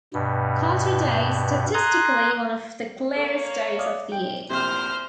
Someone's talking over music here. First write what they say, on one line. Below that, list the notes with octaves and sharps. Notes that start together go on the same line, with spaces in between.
Culture Day is statistically one of the clearest days of the year.
G2 B2
A#5 C6 D#6 F#6 G#6
A#3 A4 C#5
D5 F5 D#6
G5
A#1 E2 C3 C5 F6